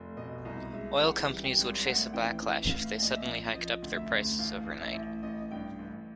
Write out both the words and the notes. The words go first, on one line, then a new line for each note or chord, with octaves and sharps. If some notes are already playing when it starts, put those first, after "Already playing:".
Oil companies would face a backlash if they suddenly hiked up their prices overnight.
Already playing: F1
B2 D#5
C2 D#5
G#3 E5
E3 F#5
G3
G5
G#1
A3 F#5
E3 G5
E3
A2 F5
A#1 D#5
E5
F3
F3 D#5
D2
E5
D2
A1 F5
A1
E5
A1
A1 D#5
G2 G5
A1